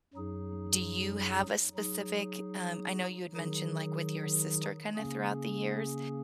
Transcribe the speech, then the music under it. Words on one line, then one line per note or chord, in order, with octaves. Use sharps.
do you have a specific, um I know you had mentioned, like, with your sister kinda throughout the years,
F#2 F#3 D#4 G#4
F#3 D#4 G#4
D#3 F#3 D#4 G#4
C#3 A#3 C#4 G#4